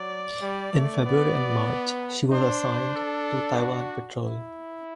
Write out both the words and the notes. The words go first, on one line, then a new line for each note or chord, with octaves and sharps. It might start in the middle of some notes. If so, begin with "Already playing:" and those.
In February and March, she was assigned to Taiwan patrol.
Already playing: F#3 D5
G3
A3
B3 D5
D4 C5
A4
F#4
E4